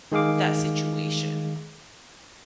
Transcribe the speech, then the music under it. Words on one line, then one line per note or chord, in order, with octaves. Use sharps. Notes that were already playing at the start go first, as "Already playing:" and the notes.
that situation?
D#3 G#3 G#4 F5 D6